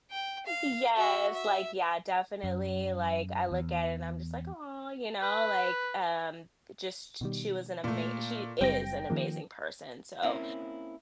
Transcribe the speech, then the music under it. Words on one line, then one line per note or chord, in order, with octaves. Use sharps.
Yes, like, yeah, definitely, like, I look at it and I'm just like, "Aw," you know, like, um, just she was an ama she is an amazing person, so,
G5
F5
F#4 E5
E5
F#2
E2
B4
B2 D#3 G3
A#2 A3
F#1 G3 C4 G5 A#6
D#3 F3 A#3
A#3 C4 C#4 E4